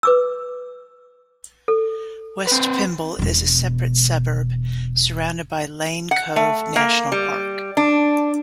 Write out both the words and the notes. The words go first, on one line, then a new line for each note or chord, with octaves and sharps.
West Pymble is a separate suburb, surrounded by Lane Cove National Park.
B4 D6 E6
A4
C4 B4
E1 B2
F#5
A3
A#3
G3
D4